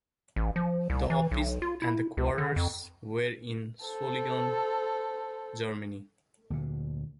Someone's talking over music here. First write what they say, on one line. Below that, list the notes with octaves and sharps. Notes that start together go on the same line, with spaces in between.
The office and the quarters where in Solingen, Germany.
A1
F3
C2
E3
B1
F4
E4
C#2
D3
F2
A4 C5
D2 A#2 D3